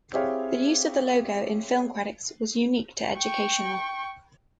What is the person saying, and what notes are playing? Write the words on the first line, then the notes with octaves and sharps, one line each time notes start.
The use of the logo in film credits was unique to Educational.
C4 E4 G4 G#4 C#5 F5
G5 C#6